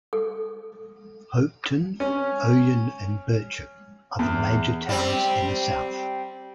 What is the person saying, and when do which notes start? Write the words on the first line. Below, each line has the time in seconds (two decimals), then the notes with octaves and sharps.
Hopetoun, Ouyen and Birchip are the major towns in the south.
0.13 A4
2.00 C#4
4.19 E2
4.89 G3 C4